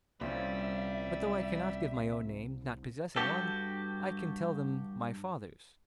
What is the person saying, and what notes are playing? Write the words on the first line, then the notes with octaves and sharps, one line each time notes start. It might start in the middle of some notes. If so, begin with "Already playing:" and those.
But though I cannot give my own name, not possessing one, I can tell them my father's.
C2 A#2 F3 G3 C#4 E5
G2 F#4 G4 A4